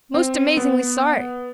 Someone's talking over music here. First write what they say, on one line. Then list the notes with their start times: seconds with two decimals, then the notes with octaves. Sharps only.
Most amazingly sorry!
0.14 C4
0.57 B3